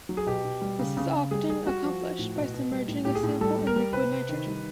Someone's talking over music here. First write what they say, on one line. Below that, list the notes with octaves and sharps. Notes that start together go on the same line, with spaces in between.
This is often accomplished by submerging a sample in liquid nitrogen.
F#3
G#4
B2 G4
B2
G3
C#3
C#3
C#3
G3 G#4
G3 G#4
G3 F#4
F3
F3
A2
B2
B2
G3
A2
A2 G4
G#4
A2
G3 A4
G3
A#4
G3
C3 B4
C3
D#3
G3